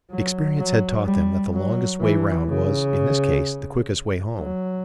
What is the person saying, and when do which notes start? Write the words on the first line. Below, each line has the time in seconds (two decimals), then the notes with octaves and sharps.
Experience had taught them that the longest way round was, in this case, the quickest way home.
0.10 F#3
0.58 F#3
1.05 G3
1.52 F#3
2.00 E3
2.48 C#3
4.38 F#3